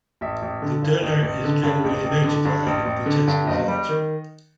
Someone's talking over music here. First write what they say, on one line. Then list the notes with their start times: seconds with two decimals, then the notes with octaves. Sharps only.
The donor is generally notified of the test result.
0.21 A1 E5
0.42 A1
0.62 D3
0.82 G2
1.02 A1
1.22 A1
1.44 D3
1.63 G2
1.84 A1
2.04 A1
2.24 D3
2.45 G2
2.66 A1
2.86 A1
3.06 D3
3.28 G2
3.47 F#1 D#5
3.68 G3
3.89 D#3